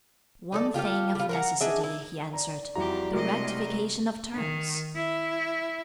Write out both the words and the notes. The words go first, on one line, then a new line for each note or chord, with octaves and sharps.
"One thing of necessity," he answered--"the rectification of terms."
D#4 A4 D5
F4 G4 A4 F5
G3 F4
A#4 F#5 A#5
D4 G#4 D#5 E5
E4
D5 A#5
F2 G3 E4 F#4 G4 A#5
C3 G#3 A3 A#4 D#5
D#3
E4